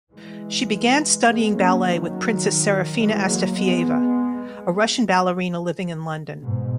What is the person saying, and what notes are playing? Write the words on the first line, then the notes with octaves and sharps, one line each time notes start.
She began studying ballet with Princess Serafina Astafieva, a Russian ballerina living in London.
E3 G#3
G#3 B3
A#3 C#4
D#3 F#3
E3 G#3
F#3 A#3
G#3 B3
G#2 B2